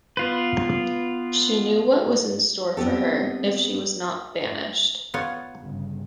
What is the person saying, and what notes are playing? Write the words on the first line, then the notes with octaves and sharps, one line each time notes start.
She knew what was in store for her if she was not banished.
B3 F4 B4
B3 C4 G4 A4
B3 F4 C#5
G1 G2 C#3